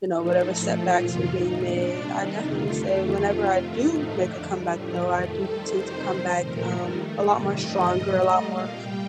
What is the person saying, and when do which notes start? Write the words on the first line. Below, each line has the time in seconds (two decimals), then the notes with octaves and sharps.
you know, whatever setbacks are being made. I definitely say whenever I do make a comeback though, I do tend to come back, um, a lot more stronger, a lot more
0.14 A2 F3 A3 D#4
0.42 A2 F3 A3
0.70 A#2 F3 A3 F4
1.00 F2 C3 D#3
1.27 A#2 G3 D#4
1.55 A#2 A3 D4
1.84 C3 G3
2.12 C3 D#3 G3 D#4
2.41 F2 D3 A3 F4
2.70 F2 D3 A3 G4
2.99 F2 D#3 A3 F4
3.26 F2 C3 G3
3.55 G2 D#3 A3
3.84 A2 F3 A3 D#4
4.11 F2 D3 A3 D4
4.40 A2 G3
4.69 A2 F3 A3
4.97 F2 D#3 A3
5.25 C3 G3 A4
5.54 F2 D#3 A3 C5
5.83 C3 D#3 G3
6.10 A2 G3
6.39 A#2 F3 A3 A#4
6.68 G2 D#3 G3
6.96 A2 A3
7.25 F2 C3 D#3 G3
7.53 G2 F3 A3 D#5
7.81 A#2 G3
8.10 A#2 A3 D#5
8.39 A#2 G3 F5
8.67 C3 G3 G5